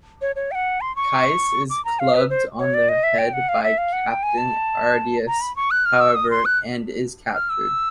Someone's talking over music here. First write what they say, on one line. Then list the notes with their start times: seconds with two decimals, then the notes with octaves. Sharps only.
Kais is clubbed on the head by Captain Ardias, however, and is captured.
0.22 C#5
0.36 C#5
0.51 G5
0.55 F#5
0.81 C6
0.96 C#6
1.70 D6
1.85 A#5
1.99 F5
2.15 B4
2.30 C5
2.59 C#5
2.74 D5
2.89 D#5
3.03 E5
3.18 G5
3.33 F#5
3.49 F5
3.63 E5
3.78 F5
3.93 F#5
4.08 G5
4.23 G#5
4.38 A5
5.27 A#5
5.41 B5
5.56 C#6
5.71 F#6
5.86 F6
6.01 E6
6.15 D#6
6.31 C6
6.45 F#6
7.34 F6
7.50 E6